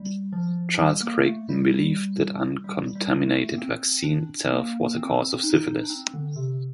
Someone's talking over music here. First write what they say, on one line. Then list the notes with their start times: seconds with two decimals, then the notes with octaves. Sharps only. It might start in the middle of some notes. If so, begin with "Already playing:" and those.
Charles Creighton believed that uncontaminated vaccine itself was a cause of syphilis.
Already playing: G3
0.33 F3
0.78 G3
1.02 A#3
1.25 A3
1.49 G3
2.64 G3
2.95 G3
3.26 A3
3.54 A#3
3.58 C4
4.04 D4
4.51 A#3
4.97 C4
5.43 D#4
5.67 D#4
5.83 D4
5.90 C4
6.14 D3
6.36 C3